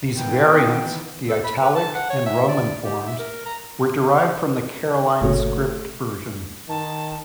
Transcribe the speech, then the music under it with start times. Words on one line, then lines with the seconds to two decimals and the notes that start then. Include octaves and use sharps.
These variants, the "Italic" and "Roman" forms, were derived from the Caroline Script version.
0.17 D#3 E3 B3 G5
1.29 A4
1.44 B5
1.61 B4
1.75 A5
1.94 F#5
2.10 C#5
2.26 E5
2.48 D5
2.84 G4
3.07 E5
3.19 A#4
3.46 A#5
5.21 G1 A#2 C#3 A3 F#4 C#5
6.69 D#3 A5